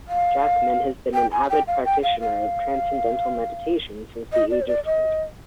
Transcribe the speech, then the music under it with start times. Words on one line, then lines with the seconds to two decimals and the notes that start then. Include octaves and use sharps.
Jackman has been an avid practitioner of Transcendental Meditation since the age of twenty.
0.08 F5
1.14 G5
1.32 G#5
1.50 G5
1.67 F5
1.85 G5
2.03 F5
2.20 F5
4.33 D#5
4.51 D5
4.62 C5
4.68 D5
4.85 D#5